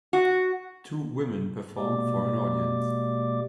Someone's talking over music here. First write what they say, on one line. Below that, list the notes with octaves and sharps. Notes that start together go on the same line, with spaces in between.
Two women perform for an audience.
F#4
B2 G#3 A#3 G4 D5 D6